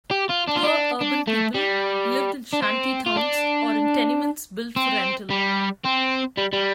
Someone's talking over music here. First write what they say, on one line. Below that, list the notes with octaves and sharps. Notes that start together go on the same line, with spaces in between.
Poor urban people lived in shantytowns or in tenements built for rental.
G4
F4
D4
F4
D4
D4
A3
G3
D4
C4
F4
D4
C4
G3
C4
G3
G3